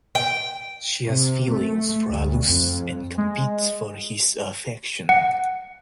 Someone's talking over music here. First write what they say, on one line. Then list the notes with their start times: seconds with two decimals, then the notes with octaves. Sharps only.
She has feelings for Alus and competes for his affection.
0.15 G5
1.06 C3
1.51 A3
2.11 D2
2.46 F2
3.18 G#3
5.09 F#5